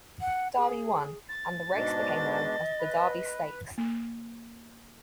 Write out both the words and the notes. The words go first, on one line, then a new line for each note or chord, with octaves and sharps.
Derby won, and the race became known as the Derby Stakes.
F#5
G#4
A6
G#2 B2 D4 D#5
B4
A#3